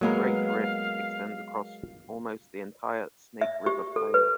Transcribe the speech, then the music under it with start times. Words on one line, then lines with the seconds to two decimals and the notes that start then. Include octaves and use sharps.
The Great Rift extends across almost the entire Snake River Plain.
0.01 F#3 G#3 A#3 B3 A#4 B4 F5
3.41 E5
3.66 G4
3.96 A4
4.14 B4